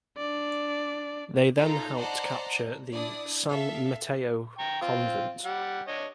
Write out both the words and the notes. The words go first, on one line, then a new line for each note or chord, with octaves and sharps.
They then helped capture the San Mateo Convent.
D4 D5
D#4 F4 A4 A#5
C5 D5 D#5 F#5 A5 A#5
D4 E4 D5 D#6
A4 E5 F5
G5 A#5 C#6
C4 F4
G3 F#5
D4 C#5 D#5